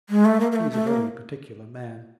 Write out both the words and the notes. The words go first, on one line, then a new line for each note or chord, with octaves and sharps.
He's a very particular man.
G#3
A3
A#3
A#3
A3
A3
A#3